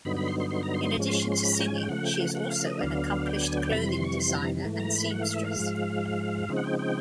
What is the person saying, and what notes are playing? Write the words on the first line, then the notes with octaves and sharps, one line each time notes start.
In addition to singing, she is also an accomplished clothing designer and seamstress.
G2 D3 F#3 B3 D#4 B5
B5
C6
C6
C6
A#5
C6
C6
G#2 F3 G#3 C#4
C6
C6
C6
B5
A#5
G5
G#5
G5
C#3 F3 A3 F#5
G5
F#5
F#5
F5
D#5
D2 D3 F#3 B3 D4 F5
G5
G#5
G5
F2 C3 E3 G3 B5
C6
C#6
C6
A#5
G#2 E3 A3
A#5
B5
F#5
F5
E5
F5
G#2 F3 G#3
C#3 F3 G#3 C4 D#4
F#5
G5
G5